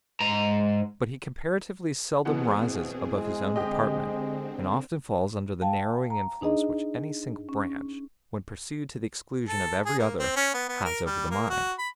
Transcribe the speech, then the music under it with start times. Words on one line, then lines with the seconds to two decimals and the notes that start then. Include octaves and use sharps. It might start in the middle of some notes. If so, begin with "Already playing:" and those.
But he comparatively seldom rises above his own department, and often falls under the narrowing influence which any single branch, when pursued to the exclusion of every other, has over the mind.
0.21 G#2 A#5
2.25 B2 E3 C4 G#4 F#5
3.15 G#3
3.56 D3 C4 G4 D#5
5.62 F5 G5 A5
6.10 A#5
6.41 D4 D#4 G#4 D#5
7.49 C#4
9.49 A4
9.85 G#4
9.99 A#3
10.19 C4
10.36 C#4
10.54 B3
10.68 B3
10.85 A#4
11.06 G3
11.31 A#3
11.50 F#4
11.79 B5